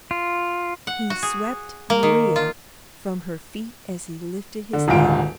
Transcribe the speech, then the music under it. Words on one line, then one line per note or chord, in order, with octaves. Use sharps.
He swept Maria from her feet as he lifted his head.
F4
F#5
F#4
G#4
A#3
D#3
F4
D3
D#1 D2 G#2 F4 D7